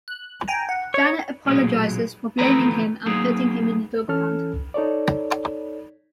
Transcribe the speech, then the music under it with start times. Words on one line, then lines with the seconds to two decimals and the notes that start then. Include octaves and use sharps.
Janet apologizes for blaming him and putting him in the dog pound.
0.08 F#6
0.48 G5 G#5 A#5
0.69 F#5
0.94 C#5
1.45 B1 A#2 F#3 G#3
2.39 D2 E3 F3 A3 B4 A#5
3.06 F#3 A#3 B3 D#4 G#4
4.08 E3 C#4 A4 F6
4.74 D#4 A4 C#5 D5